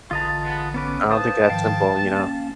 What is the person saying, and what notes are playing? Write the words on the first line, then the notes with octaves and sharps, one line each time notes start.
I don't think it's that simple, you know,
A1 D3 F4 G#4 B4 D#5 A5 A#5
G#3 B3
B3 C#4 B4 D6
B4 C5 F5 A5 D#6
G#2 D#3 F3 F5 G5
A#3 C#4